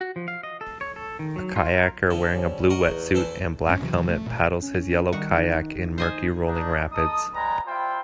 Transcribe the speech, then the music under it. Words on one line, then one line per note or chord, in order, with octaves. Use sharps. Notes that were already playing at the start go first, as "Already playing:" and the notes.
A kayaker wearing a blue wetsuit and black helmet paddles his yellow kayak in murky rolling rapids.
F#4
F3
F5
D#5
A4
C#5
A4
D#3
F#3
F4
A#4
D3 F3
G3 C#4
F#4 A#4 D#5
E2
E3 A4 C5
F#1 G2 C3 C#4
D2 C3 E3 F#3
E3 F#3
A3
A#2
C#4
D#3 G3 F#4
D#4
C5 D#5 G#5
D4 D#4
D#4 A4 D#6
G3 G#3 B3 A#5
G3 E4 F4 C5 G5